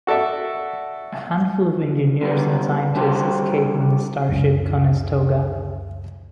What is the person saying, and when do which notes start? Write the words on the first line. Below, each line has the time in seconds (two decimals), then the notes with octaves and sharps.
A handful of engineers and scientists escape in the starship "Conestoga".
0.07 F#4 A4 D5 E5
2.21 D3 F#3 G3 B3
2.95 G3 D4 F#4 G4 A4 C5
4.29 C#2 F#2